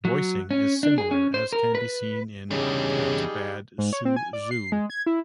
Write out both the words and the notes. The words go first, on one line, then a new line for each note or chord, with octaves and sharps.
Voicing is similar, as can be seen in "pat - bad, sue - zoo".
F#3
C#4
D4
G#4
C#4
C5
A#4
B4
E2 G2 C#3 G3 D#4 G#4
G#2
C#5
C4
G#5
D5
C7
G#3
G#6
E4